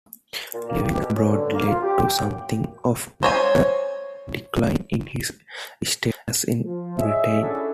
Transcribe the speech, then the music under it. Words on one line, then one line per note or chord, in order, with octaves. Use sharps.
Living abroad led to something of a decline in his status in Britain.
A#2
A#3
G4
B2
C#4
D3
A#3
F4
G4
G5
F#2
C5 C#5 G#5
F3
G#4 C#5 D#5 E5
C#4 D4 E4 F#4 G#4 A4